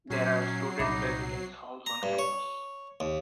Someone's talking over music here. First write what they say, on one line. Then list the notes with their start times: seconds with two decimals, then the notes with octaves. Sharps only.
There are student residence halls on campus.
0.10 A#2 F#3 C#4 C7
0.79 C2 A#2 D#4 E5 B5 D6
1.86 A#5
2.03 G2
2.19 C#5
3.00 D#2